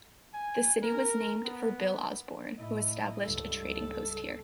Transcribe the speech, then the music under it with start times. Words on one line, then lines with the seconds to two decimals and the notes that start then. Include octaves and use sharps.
The city was named for Bill Osborne, who established a trading post here.
0.34 G#5
0.83 A#4
1.44 B3
2.58 A2 E4 D#5
3.23 C#2 G2 A4